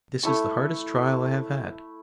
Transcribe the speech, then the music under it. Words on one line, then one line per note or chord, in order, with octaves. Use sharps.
'This is the hardest trial I have had.
A3 E4 C#6